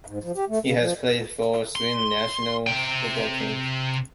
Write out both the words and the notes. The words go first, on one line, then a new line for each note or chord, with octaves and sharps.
He has played for the Sweden national football team.
G#2
F3
G4
A3
C#3
F3
C6
C3 G5